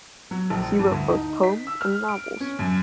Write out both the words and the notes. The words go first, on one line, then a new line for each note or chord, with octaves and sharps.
He wrote both poems and novels.
F#3
A#1
G2
D2
D#4
B6
E6
F6
D7
C#4
F#2